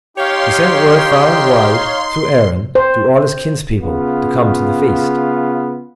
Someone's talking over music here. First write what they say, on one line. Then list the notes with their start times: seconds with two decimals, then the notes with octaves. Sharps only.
He sent word far and wide through Erin to all his kinspeople to come to the feast.
0.17 D#4 G4 C#5 F5 G5 C6
2.75 C5
3.81 C#3 B3 F4